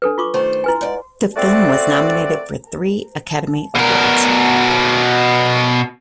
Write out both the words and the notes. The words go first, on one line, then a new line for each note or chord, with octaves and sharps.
The film was nominated for three Academy Awards.
D4 A4 B4
F4 C#6 D6
D#3 A3 C5
E4 B4 G#5
G#2 D5
A3 C4 F#4 D5
B2 A#4